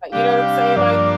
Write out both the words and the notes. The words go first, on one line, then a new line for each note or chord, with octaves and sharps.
you know what I'm saying, like,
C3 G3 D4 G4 F5
G2 F3 A#3 D4 D5